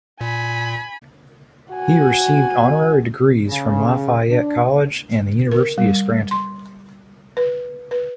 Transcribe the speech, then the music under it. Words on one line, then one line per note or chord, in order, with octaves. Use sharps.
He has received honorary degrees from Lafayette College and the University of Scranton.
A#2 G#5 B5
F#4 G#5
C#3
D4
A#4
G3
C6
B4
B4